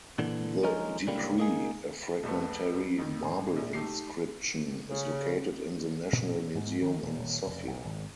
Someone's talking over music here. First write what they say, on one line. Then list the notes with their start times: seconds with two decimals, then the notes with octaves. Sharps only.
The decree, a fragmentary marble inscription, is located in the National Museum in Sofia.
0.19 A#2 D3 E3
0.63 D3 F3 G#3 C#4 D#4 A#4
1.07 C#2 A2 D3 G3 A#3
1.38 A#3 D#4 G#4
2.23 C2 F2 A3 B3
2.99 F2 D#3
3.22 A1 G#5 C6
3.56 A#1
3.73 A3 D#4 G4 C7
4.89 C#3
6.13 A#2
6.36 C#4
6.55 G#2
6.82 D#3
7.03 D#1
7.19 D#1
7.47 F1
7.67 B1
7.85 G#1